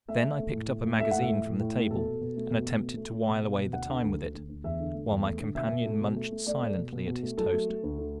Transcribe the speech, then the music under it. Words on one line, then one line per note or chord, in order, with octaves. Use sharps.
Then I picked up a magazine from the table and attempted to while away the time with it, while my companion munched silently at his toast.
A3 E5
A3
A3
A2
A3
A2
A3 E5
A2 F#5
E5
A2
A2
A2
A3
B2 A4
B2
B2
A3
B2
B2
A3
A3
A3
B2
B2
B2
D2 F#5
D3
D2
D3
D2
D2
E2 E5
D3
A3
E2
A3
D3
B2 E5
B2
A3
B2
A3
A3
A3 D5
A3
B2
B2
B2
A3
F#3 A4
A3
A3
D2
D3